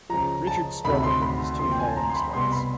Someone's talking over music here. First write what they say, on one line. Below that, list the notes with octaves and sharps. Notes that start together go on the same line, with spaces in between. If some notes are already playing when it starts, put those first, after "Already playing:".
Richard struggled in his two following starts.
C#2 C#3 F3 A#5
A5
D2 C3 D#3 F#3 A3 B5
B5
C6
B5
D2 C3 F3 A#3 C6
G5
G#5
A5
A#5
C6
B5
C2 B2 G3 B3 C6
B5